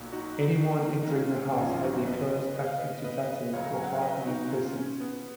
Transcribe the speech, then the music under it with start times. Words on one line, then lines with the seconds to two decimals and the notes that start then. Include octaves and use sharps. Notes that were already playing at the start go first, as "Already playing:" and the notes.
Anyone entering the house had their clothes cut into tatters or half-moon crescents.
Already playing: B1 A#2 F#3
0.12 D#4 F#4
1.03 D#4
1.10 C#4 F4
1.59 G#1 F#2 F3 C#4 F4
1.83 D#4 F#4
2.07 B4 D#5
2.56 D#5
2.67 F5
2.78 B4 D#5
3.04 B4 D#5
3.53 C#2 C#3 F#3 C#5 F5
3.65 A#5
3.74 G#5
3.84 F#5
3.93 F5
4.02 B4 D#5
4.27 D#4 F#4
4.51 C#4 F4
4.76 C#4
5.00 B3